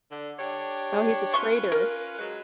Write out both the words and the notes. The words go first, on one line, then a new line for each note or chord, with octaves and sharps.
Oh, he's a traitor.
D3
D4 G4 C#5
C#4 F4 B4 C6 C#6
A#4
F#3 G#3 B4